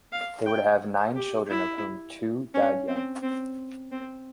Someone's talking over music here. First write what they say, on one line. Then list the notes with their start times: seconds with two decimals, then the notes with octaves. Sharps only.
They were to have nine children of whom two died young.
0.12 F5
0.46 G5
1.16 G4
1.49 E4
2.54 C#4
2.88 C4
3.22 C4
3.92 C4